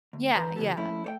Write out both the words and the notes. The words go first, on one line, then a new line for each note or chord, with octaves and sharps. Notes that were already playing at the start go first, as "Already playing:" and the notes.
Yeah, yeah.
D2
E3 B4 C5 A#5
C#3 E3 A#3 B3 G4 A4
F3 A3 C#4 E4
A3 C#5 G5